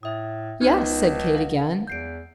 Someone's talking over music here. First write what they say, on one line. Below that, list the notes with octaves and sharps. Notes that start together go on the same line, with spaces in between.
"Yes," said Kate again.
A2 E5 D#6
C#2 B3 D#4 F#4
F5 F#5
E2 G6 C7 D7